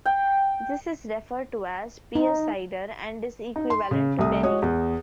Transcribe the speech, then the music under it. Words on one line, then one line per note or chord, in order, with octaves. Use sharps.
This is referred to as "pear cider," and is equivalent to perry.
G5
D#4
D#4
C6
C#3
C2 A3 E5 D#6
G#3 F#4 C#5 D#5 D#6
E2